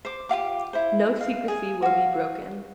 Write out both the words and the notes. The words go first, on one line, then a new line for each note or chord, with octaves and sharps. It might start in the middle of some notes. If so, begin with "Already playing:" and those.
No secrecy will be broken.
C5 D6
F4 G4 F5 D6
E4 C5
F5
G#4
F#4 F5